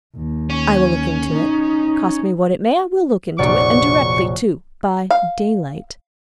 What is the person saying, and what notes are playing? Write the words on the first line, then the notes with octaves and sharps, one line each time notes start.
I will look into it--cost me what it may, I will look into it--and directly too--by daylight.
D#2
C#4
D#4
F1 A#1 F#3 D5 C#6
F5